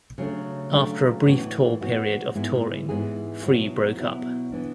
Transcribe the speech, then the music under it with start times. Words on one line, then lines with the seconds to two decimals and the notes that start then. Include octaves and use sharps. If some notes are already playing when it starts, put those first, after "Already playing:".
After a brief tour period of touring Free broke up.
0.18 C#3 F#3 A3 D4
0.72 C#3 F#3 A3 D4
1.26 A2 E3 B3 F#4
1.81 A2 E3 B3 F#4
2.35 G#2 E3 B3 E4 G#4
2.89 G#2 E3 B3 E4 G#4
3.43 B2 F#3 B3 E4
3.97 B2 F#3 B3 E4
4.52 E3 B3 D4